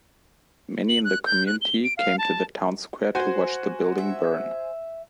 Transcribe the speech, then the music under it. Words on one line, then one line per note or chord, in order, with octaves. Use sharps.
Many in the community came to the town square to watch the building burn.
F#7
F#6
G6
F#6
G7
D7
F5
A5
F#4 C5 G#5
E5